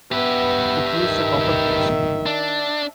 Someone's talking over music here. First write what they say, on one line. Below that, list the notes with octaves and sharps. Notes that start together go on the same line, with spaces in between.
It used a copper case.
B3 G4 B4 E5
D#3
D4